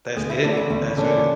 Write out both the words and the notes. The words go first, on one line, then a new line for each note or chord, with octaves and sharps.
That's it? That's really
D2 G#4
E4
C#3 E3 A3 C#4 D4
F#4
E4
D2 E4
C#3 E3 A3 C#4 D4